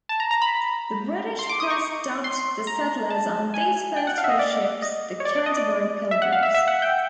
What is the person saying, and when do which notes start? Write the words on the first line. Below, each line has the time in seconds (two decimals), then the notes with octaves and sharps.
The British press dubbed the settlers on these first four ships the Canterbury Pilgrims.
0.09 A5
0.20 A#5
0.31 A#5
0.42 B5
1.39 C6
1.49 D6
1.60 D#6
1.70 C#6
2.24 C6
2.67 A#5
3.10 A5
3.54 G#5
3.97 G5
4.07 F#5
4.18 F5
4.24 E5
4.29 D#5
4.39 D5
4.82 D#5
5.20 C#5
5.25 D5
5.36 D5
5.46 D#5
5.57 D5
6.11 E5
6.22 F#5
6.33 F5
6.43 E5
6.54 E5
6.68 F#5
6.82 G5